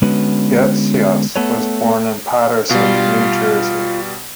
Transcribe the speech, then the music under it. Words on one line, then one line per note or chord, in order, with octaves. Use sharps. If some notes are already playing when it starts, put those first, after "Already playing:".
Goetschius was born in Paterson, New Jersey.
D3 G#3 B3 C#4 F#4 B4
A3 B3 A4 B4 C#5
B2 G3 F4